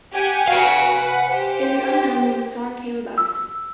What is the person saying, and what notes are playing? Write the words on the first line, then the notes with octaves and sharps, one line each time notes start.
It is unknown when the song came about.
G4 F#5 G#5
F#4 B4 F5 G#5
B4 F#5
G4 C5
E6